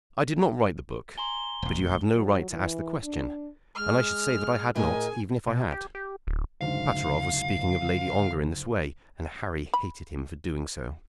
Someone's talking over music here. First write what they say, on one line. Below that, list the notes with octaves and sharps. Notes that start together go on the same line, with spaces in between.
"I did not write the book--but you have no right to ask the question; and I should say that I had not, even if I had." Pateroff was speaking of Lady Ongar in this way, and Harry hated him for doing so.
G#5 A#5 C6 G7
E1 A1
F#3
E3
D4
G#3 F6
A2 G#4 A#4 D#5 G#5
B2
G4
G4
D1
F#1 D2 G#2 F5
B5